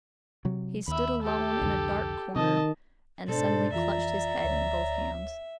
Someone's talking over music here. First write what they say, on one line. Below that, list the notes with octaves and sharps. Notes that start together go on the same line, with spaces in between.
He stood alone in a dark corner, and suddenly clutched his head in both hands.
C3 F#3
D#2 E5 B5
G4 A4
C2 F2 D3
C3 D#3 D#5 A5
G#2 B2 D4 A4 C5 D5
F2 E3 F4 E5 A#5
D2 C#5